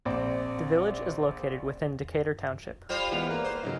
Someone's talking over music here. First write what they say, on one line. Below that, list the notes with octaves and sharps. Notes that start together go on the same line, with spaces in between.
The village is located within Decatur Township.
A#1 C4 D5
G3 F4 C5
E3 G#3 B3
A#3 A#4 B4
C5
C#3 F#3 D#4